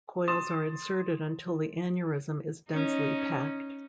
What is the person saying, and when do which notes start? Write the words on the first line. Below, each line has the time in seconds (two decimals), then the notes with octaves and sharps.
Coils are inserted until the aneurysm is densely packed.
0.28 C6 D#6 A6 E7
2.70 C#4 D#4